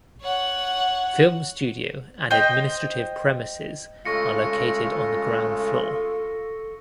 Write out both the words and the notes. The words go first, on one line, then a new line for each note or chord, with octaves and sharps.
Film studio and administrative premises are located on the ground floor.
C#5 F#5
C5 D#5 G5
C#3 G#3 A3 F4 A4 C#6 A#6 C#7